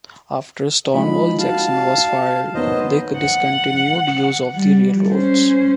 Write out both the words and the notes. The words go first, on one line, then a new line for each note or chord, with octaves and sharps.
After Stonewall Jackson was fired they discontinued use of the railroads.
F3 G#3 D#4 B5
F#4 F5 A5
D#3 F#3 B3 C5 D#5
F#5
G3
C#4 C5